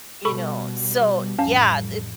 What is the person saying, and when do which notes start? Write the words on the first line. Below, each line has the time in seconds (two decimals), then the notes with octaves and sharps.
you know. So, yeah, it
0.25 B2 G3 A4 B5 C#6
1.39 A1 F2 G3 C#4 F5 A5